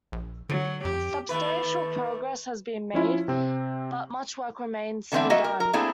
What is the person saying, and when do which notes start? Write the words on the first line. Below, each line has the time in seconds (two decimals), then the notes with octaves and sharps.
Substantial progress has been made, but much work remains to be done.
0.12 A#1
0.49 D3 F#3
0.85 F2 G4
1.29 D#2 A3 B4
2.94 F3 C#4 E4 F4
3.28 C3 C4
5.12 D3 E3 B3 C4 D4 E5
5.30 A#3 F#4 D#5 E5
5.44 A#4
5.60 A#4
5.73 A3 A#3 C4 D4 E4 G#4